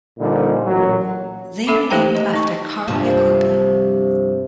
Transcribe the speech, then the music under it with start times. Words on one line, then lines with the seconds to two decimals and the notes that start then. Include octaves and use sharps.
They are named after Carl Jacobi.
0.19 A#2 D3 F3 G3 D#4
0.64 A1 A#2 F#3
1.67 A#3 A4 E5 B5 D6
1.90 A3 D#4 G4 C5 G5 A#5
2.15 D#5
2.34 D#4 C#6
2.88 G2 C3 F3